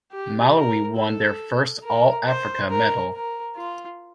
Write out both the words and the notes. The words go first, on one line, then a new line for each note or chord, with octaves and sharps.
Malawi won their first All-Africa medal.
G4
A#4
A4
A#4
C5
A#4
A#4
F4